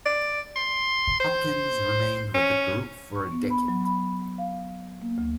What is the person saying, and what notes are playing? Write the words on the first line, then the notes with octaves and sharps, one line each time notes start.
Hopkins remained with the group for a decade.
D5
C6
C5
C#4
C#6
B3
B5
F#3
B5
F5
A#3
D2